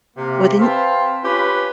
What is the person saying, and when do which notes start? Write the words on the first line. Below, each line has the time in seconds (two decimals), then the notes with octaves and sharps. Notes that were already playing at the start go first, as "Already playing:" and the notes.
Well, then,
0.17 C3 A#3
0.59 C4 B4 E5 F5 A5 C6
1.23 C#4 F4 G4 B4